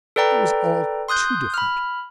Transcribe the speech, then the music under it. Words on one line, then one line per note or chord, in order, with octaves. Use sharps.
It was all too different.
A4 B4 D5 G5 A#5
C6 D#6 F#6 G6
B5 F6